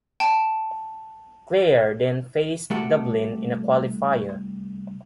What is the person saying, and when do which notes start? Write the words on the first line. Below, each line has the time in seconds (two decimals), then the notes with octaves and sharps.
Clare then faced Dublin in a Qualifier.
0.20 G5 A5
2.70 C2 A3 F#4 G4 A4 F#5